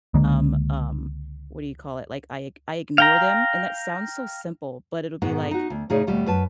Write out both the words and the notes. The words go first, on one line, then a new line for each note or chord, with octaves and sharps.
um, what do you call it? Like I ig I ignore them, and that sounds so simple, but it'll be like,
C#2 D3 G#3 A#3
F5 G5 A#5
G#2 B2 D#3 B3
D#4 F#4
D2
A2 C#3 D#4 G#4 C#5 D5
D#2 B2 G3 A3
F#2 B4 A5